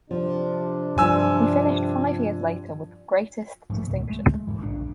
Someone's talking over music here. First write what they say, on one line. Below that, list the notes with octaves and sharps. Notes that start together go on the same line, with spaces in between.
He finished five years later with greatest distinction.
C3 F3 D4
G2 F3 F4 G#5 E6
G#2 F3 F#3 A3
C#2 B2
G#3 A3
D#2 G#2 E3
A#1 A#2 C#3 D4